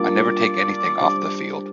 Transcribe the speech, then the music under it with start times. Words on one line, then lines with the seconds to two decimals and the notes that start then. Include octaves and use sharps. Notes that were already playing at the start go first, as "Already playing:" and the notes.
I never take anything off the field.
Already playing: G3 A#3 D4 F4 D5
1.00 G3 D4 G4 C5